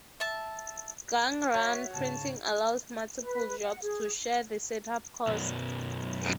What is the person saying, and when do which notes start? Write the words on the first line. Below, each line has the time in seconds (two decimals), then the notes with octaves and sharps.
Gang-run printing allows multiple jobs to share the setup cost.
0.20 E5 A5
1.54 F#4 C#5 E5
1.93 G#2 C#3 A5
3.21 B4
3.63 F#5
3.82 G#4
5.27 B1 F#2